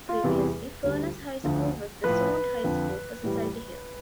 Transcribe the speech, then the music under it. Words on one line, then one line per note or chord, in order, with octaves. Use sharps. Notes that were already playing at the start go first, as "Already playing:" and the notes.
Previously Furness High School was the zoned high school for Society Hill.
F4
E2 C3 E3 G3
D2 D3 G3
D2 D3 F3
A2 F3 B4
F2 D3 F3
A2 E3 G3